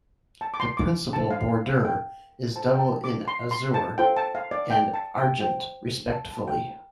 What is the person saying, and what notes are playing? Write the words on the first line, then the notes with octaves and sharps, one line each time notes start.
The principal bordure is double in azure and argent, respectively.
A5
D6
C6
D6
D4 A4 C5 A5
F5
F5
F5
G5
F4 A4 C5 A5
G5
A5
D6
C6
C6
A5
F4 A4 C5 G5
A5
F5
D5
G5
A5
G5
F4 C5 G5
A5
A5
G5